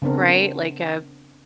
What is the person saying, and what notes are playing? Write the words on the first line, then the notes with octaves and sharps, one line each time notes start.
Right, like a
C#3 B3 C4 D4 A#4